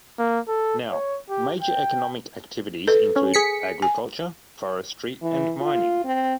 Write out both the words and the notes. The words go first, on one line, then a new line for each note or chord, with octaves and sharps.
Now, major economic activities include agriculture, forestry, and mining.
A#3
A4
C#5
G4
G5
A4 B4
C#4
G#4 B6 C#7
G#5
E3
F4
C4